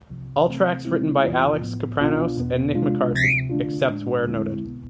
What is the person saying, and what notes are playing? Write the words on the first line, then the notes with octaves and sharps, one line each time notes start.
All tracks written by Alex Kapranos and Nick McCarthy, except where noted.
C2 C3 F3
C3 E3 A3 C4
C3 G#3 C4 E4
E2 C3 E3 B3 F4
A2 F3 B3
C2 B2 B3 D4 F4
E2 B2 B3
C3 G#3 D4 F4
D2 C3 F3
D3 A3 D4 F4
A2 G#3 D4
E2 D3 G#3 C4 E4
C2 B2 B3